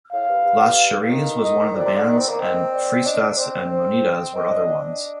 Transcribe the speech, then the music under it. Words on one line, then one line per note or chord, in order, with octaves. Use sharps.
Las Cheris was one of these bands and Fresitas and Monedas were other ones.
A2 F5
G2
G2
D#3
D#5
F2 D5
C3
D3
D#3
C4
A#3
C4 D#5
D5
D4 D#5
D4
C4 C5
C5
C4 D#5
D4
D4